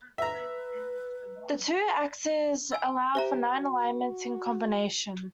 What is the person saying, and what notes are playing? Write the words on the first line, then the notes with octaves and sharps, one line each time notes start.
The two axes allow for nine alignments in combination.
B4 E5 A#5
G#5 E6
G4 C5 E5 A#5
F#4